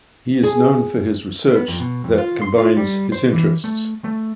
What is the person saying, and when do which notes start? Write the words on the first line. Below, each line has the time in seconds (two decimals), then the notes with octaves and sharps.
He is known for his research that combines his interests.
0.43 G#4
1.56 B3
1.68 F2
1.80 B2
2.04 F2
2.18 F4
2.42 C6
2.58 F4
2.77 G3
3.12 C5
3.33 E3
3.64 A3
4.04 A3